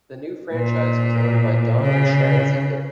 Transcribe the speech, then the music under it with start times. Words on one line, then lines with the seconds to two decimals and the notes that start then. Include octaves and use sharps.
The new franchise was owned by Don and Sharon Ziegler.
0.53 A#2
1.80 C#3